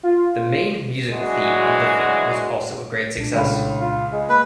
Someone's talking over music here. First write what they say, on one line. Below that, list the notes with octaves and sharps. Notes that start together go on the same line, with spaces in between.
The main musical theme of the film was also a great success.
F4
E3 F#3 G#3 D4 F#4
C2 A#2 D4
C#2 A2 F5 B5
F4
G#3
A#3 B4